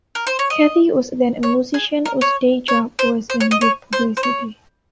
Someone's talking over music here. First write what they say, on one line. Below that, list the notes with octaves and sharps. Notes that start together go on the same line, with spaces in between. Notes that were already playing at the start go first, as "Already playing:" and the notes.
Kathi was then a musician whose day job was in book publicity.
A#4
C5
C#5
D#5
C#5
G#4
A#4
C#5
C#5
C5
C5
C#5
D#5
C#5
C5
C5
C#5